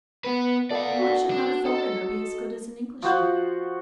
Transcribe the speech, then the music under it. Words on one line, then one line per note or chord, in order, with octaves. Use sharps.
And why should not a foreigner be as good as an Englishman?
B3 B4
B3 A4 D5 F5 D6
F#4
D4
D#4 A4 C6
F3 F#4 C5 F#5